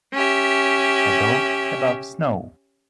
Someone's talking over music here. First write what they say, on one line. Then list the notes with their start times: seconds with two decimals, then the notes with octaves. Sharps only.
A dog above snow.
0.13 C#4 G4 E5